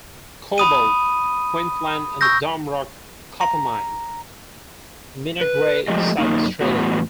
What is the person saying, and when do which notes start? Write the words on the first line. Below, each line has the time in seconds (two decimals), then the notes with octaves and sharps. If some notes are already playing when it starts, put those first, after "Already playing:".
Cobalt, Queensland and the Dome Rock copper mine, Mingary, South Australia.
0.58 B5 D#6 D#7
2.21 C#6 E6 G6 A#6
3.41 A#5
5.41 B4
5.88 F3 G#3 A3 G4 D#5
6.18 F#2 A#3 D#4
6.61 E2 A2 B3 F#4